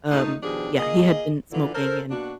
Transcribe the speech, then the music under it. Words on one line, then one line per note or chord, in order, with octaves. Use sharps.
um, yeah, he had been smoking, and,
A#2 D3 A3 D#4
B2 D#3 F3 D4 G4 G#4
A#2 A#3 G#4 D#5
A#2 D3 E3
A4 A#4 C5
B2 A#3 D4 F#4